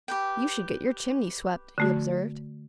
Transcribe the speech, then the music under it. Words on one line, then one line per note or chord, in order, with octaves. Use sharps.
"You should get your chimney swept," he observed.
G4 B4 G5
D3 A3 F#4